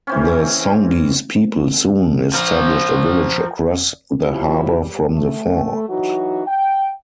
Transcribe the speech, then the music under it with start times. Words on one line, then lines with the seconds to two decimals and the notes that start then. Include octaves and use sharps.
The Songhees people soon established a village across the harbour from the fort.
0.07 E3 C4 C#4
2.34 F3 A#4
4.22 F#3 C4 E4 F4 G4
4.79 G3
5.13 A3
5.89 E3 F#3 D#4 F#4
6.47 G5